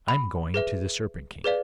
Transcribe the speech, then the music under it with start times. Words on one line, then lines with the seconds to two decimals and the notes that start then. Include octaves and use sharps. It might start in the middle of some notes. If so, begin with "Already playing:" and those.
'I am going to the Serpent King.'
0.08 B5
0.54 G#4 B4 E5
1.44 G#4 B4 D5 F5